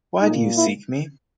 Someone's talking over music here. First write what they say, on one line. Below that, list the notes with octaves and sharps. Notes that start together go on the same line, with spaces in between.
Why do you seek me?
A#2 A#3 D#4
E4